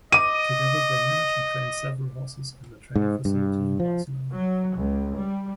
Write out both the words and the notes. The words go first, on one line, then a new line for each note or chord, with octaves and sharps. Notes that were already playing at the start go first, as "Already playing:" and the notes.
Together they manage and train several horses at their training facility in Barcelona.
D#5 D6 D#7
G#2
G2
F3
F#3
C#2
G3